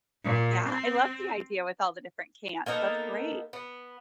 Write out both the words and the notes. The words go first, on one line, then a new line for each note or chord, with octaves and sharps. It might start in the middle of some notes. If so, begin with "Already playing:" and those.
yeah, I love the idea with all the different cans, that's great.
A#2
C4
A#3 B3 D#4 A4
B3